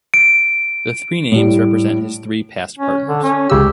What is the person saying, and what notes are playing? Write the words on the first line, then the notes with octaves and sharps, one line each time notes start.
The three names represent his three past partners.
D7
A2 G3
C#4
D3
C#4
C#2 C#3 G4 E6